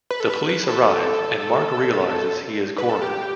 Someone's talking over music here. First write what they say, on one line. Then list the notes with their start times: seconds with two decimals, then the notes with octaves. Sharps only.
The police arrive and Mark realises he is cornered.
0.11 B4
0.20 A4
0.30 B4
0.49 B4
0.69 A4
2.78 B4
2.90 A4
3.02 G4